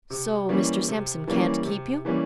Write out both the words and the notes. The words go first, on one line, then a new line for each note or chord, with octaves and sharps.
"So Mr. Sampson can't keep you?"
C3
E3 G3 A#3 C#4
C3
E3 G3 A#3 C#4
C3
E3 G3 A#3 C#4